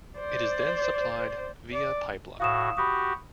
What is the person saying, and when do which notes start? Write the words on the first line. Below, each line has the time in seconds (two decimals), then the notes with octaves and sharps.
It is then supplied via pipeline.
0.19 C5 D5
1.74 D5
2.40 A2 F#4 F5 D#6 E7
2.77 F#4 G4 B5 D#6